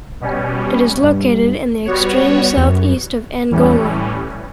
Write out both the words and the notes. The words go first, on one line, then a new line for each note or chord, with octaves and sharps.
It is located in the extreme south-east of Angola.
B2 G3 C#4
G2
G3 B3 F#4 C#5
E2
F#2
E2 A2 E3 G3 C#4